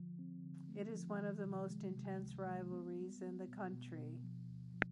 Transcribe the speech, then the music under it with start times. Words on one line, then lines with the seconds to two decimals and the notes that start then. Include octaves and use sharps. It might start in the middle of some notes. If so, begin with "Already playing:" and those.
It is one of the most intense rivalries in the country.
Already playing: D3 F3
0.19 C4
0.43 D3
0.69 A3
0.94 F3
1.19 D#3
1.45 C3
1.70 G#3
1.96 C3
2.21 C#2
2.46 G#3
2.72 B3
2.96 G3
3.22 B3
3.48 B2
3.73 B2
3.98 B2
4.24 F3
4.49 D2
4.74 F3